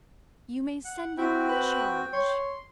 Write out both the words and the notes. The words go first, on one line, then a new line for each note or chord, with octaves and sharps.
"You may send it, charge."
F#5
C4 E4 F#4 G5
B4
C#5 C6